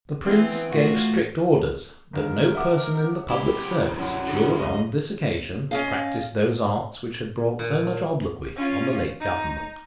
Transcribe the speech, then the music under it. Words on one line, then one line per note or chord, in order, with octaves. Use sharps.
The Prince gave strict orders that no person in the public service should, on this occasion, practise those arts which had brought so much obloquy on the late government.
E3 B3 C4
A2 F4 F#4
G1 D#2 G#2 A#4
E5 F#5 D6
B1 E4 G4
C2 F#2 F#3
D3 G#4
C#2 G3 D#5
C#4 D#5 F5
A#2
C#4 F4
D#4